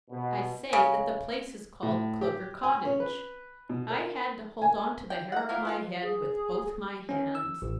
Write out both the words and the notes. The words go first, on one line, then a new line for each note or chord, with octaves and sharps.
'I say that the place is called Clover Cottage.' I had to hold on to the hair of my head with both my hands.
B2
C#3
A2
G4
G#5
C#4
B4
B2
A#4
G#5
G5
F#5 A#5
A#3 B3 E4 F4 F5
E3 F4 A4
G#4
C#4
E6
A1